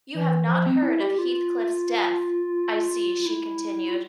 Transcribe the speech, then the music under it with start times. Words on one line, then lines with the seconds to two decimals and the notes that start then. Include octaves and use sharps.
'You have not heard of Heathcliff’s death, I see,’ she continued.
0.14 E3
0.44 E3
0.48 F3
0.66 C4
0.83 E4
1.01 G4
1.18 F4
3.26 E4
3.89 F4